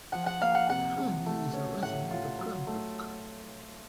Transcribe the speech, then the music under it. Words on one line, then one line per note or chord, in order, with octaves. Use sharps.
Hanni is a resident of Cranbrook.
F3 F#5
F#5
A#3 F5
F#5
C3 F#5
C3
A3
C#4
A2 F#5
F4
F#3
A3